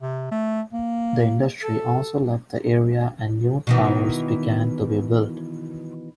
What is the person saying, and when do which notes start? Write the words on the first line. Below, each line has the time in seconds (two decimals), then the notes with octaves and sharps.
The industry also left the area and new towers began to be built.
0.02 C3
0.32 A3
0.73 A#3
1.63 A4
3.67 B2 D#3 E3